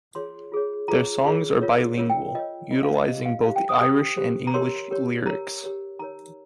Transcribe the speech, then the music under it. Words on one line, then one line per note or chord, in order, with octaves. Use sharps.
Their songs are bilingual, utilising both Irish and English lyrics.
F4 G#4 C#5 C6
F4 G#4 C#5
F4 G#4 C#5 A#5
F4 G#4 C#5
F4 A#4 C#5
F4 A#4 C#5
G5
F4 A#4 C#5 D#5
F4 A#4 C#5 D#5
F5
D#5
G4 C5 D#5
F5
G4 C5 F5
G5
D#6
G4 C5 D#6
G4 C5
A#5
G4 A#4 C#5 C6
G4 A#4 C#5
G4 A#4 C#5 A#5
G4 A#4 C#5
D#4 A#4 C#5 A#5